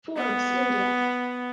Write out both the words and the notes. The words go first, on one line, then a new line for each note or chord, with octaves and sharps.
Forbes India.
B3